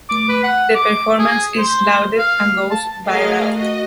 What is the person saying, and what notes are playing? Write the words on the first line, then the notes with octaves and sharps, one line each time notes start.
The performance is lauded and goes viral.
D6
B4
F#5
D6
G#4
C5
F5
A5
A3 G#4 A#4 D#5 F5
F#4 D#5